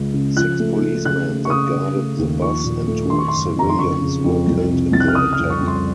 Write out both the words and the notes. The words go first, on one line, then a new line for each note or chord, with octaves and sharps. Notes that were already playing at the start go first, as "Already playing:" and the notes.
Six policemen that guarded the bus and two civilians were killed in the attack.
Already playing: C#2 C#3
C#3
F3 F#6
A3
A3
C#3 F#6
A3
C#6
C#3 D#6
C#3
A3
D#2
F3 C#6
A#2
A3
D#3 C6
C#6
F#1 C6
F2 A#5
C6
C#3 C#6
C#3
F2
C2
C3
C2 A6
F#6
F6
C#3 D#6
F6
F2
C#6
F2
C6